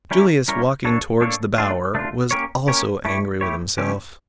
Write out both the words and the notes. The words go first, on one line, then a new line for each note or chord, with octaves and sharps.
Julius, walking towards the Bower, was also angry with himself.
G3 C#4 E4 A#4 C#5
G3 C#4 E4 A#4 C#5
A#3 D4 A4 C#5
A#3 D4 A4 C#5
A3 D4 F4
A3 D4 F4
A#3 C#4 G4 A#4 C#5
A#3 C#4 G4 A#4 C#5
A3 E4 G4 C#5
A3 E4 G4 C#5
C#3 F3 A3 C#4 G4